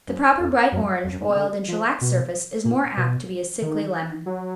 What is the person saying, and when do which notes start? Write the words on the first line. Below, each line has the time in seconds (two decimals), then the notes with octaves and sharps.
The proper bright-orange, oiled and shellacked surface is more apt to be a sickly lemon.
0.08 F#2
0.40 F2
0.72 F#2
1.04 F2
1.12 F#2
1.21 G#2
1.29 B2
1.36 D3
1.68 F3
2.01 B2
2.65 A#2
2.97 B2
3.62 D#3
4.26 F#3